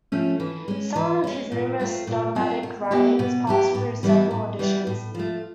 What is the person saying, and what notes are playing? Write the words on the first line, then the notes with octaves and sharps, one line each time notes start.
Some of his numerous dogmatic writings passed through several editions.
F3 A3 C#4
E3
G#3 C#4
E3
G#3 C#4
A#2
F#3 A3 C4 F4
A#2
F#3 A3 C4 F4
B2
F#3 B3 E4 G4
B2
F#3 B3 E4 G4
A2
E3 G3 B3 E4
A2
E3 G3 B3 E4
A2
F3 A3